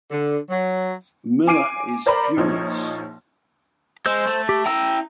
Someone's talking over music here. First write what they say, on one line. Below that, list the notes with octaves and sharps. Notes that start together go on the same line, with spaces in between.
Miller is furious.
D3
F#3
G#5 D6 C7 D7 D#7
A#4 C5 D5 A#5 B5
A#1 F3 D#4 C#5
G#3 C5 E6 G6
A3
G4
E4 G5 A#5 E6